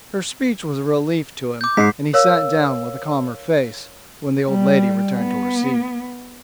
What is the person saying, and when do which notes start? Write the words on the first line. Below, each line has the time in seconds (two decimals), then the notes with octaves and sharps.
Her speech was a relief to him, and he sat down with a calmer face, when the old lady returned to her seat.
1.61 D6 G6
1.77 G#2 G#3 D#5 B6 C7
2.13 A#4 C#5 F5 E6
4.48 G3
5.15 B3